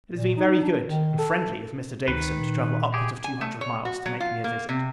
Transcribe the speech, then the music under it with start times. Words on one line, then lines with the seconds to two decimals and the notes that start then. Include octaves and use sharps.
It has been very good, and friendly, of Mr. Davison, to travel upwards of two hundred miles, to make me a visit.
0.14 A#2
0.37 D#4
0.62 D4
0.86 D#3
1.18 A4
2.08 D2 D#3 B4
2.40 A#2
2.94 G4 G#4
3.24 G#5
3.41 A3
3.61 C#5
3.85 F#4
4.06 F#3
4.20 F4
4.44 A#3
4.69 C3